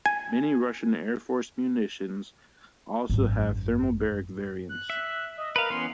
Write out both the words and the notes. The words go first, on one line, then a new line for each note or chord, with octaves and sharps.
Many Russian Air Force munitions also have thermobaric variants.
G#5
G#1 F#2
F#6
E5
D#5
A#4 B4 F5
E3 B3 C#4 C6